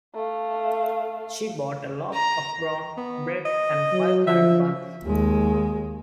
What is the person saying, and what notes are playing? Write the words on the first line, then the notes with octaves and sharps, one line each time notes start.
She bought a loaf of brown bread and five currant buns.
A3 F5
A#5
B3
D#5
F#3
F3 E5
D#2 G#3